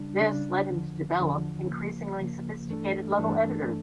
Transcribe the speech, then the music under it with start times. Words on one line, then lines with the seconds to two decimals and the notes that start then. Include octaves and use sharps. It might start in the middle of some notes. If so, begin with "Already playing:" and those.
This led him to develop increasingly sophisticated level editors.
Already playing: C#3 G3 D4
0.21 C#3 G3 D4
0.71 E2 D3 F3
1.20 E2 D3 F3
1.70 C#3 F3 A#3
2.20 C#3 F3 A#3
2.68 G2 E3 A3 D4 A4
3.18 G2 E3 A3 D4 A4